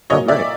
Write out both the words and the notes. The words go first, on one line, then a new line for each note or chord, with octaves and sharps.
Oh, great.
A#2 F#3 A#3 C#5 D#5
D5 E5